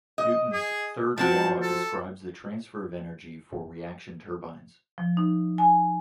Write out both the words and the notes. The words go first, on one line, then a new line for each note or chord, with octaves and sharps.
Newton's third law describes the transfer of energy for reaction turbines.
D#5
G#4
F3 C4 F#4 A5
A4
F3
D#4
G#5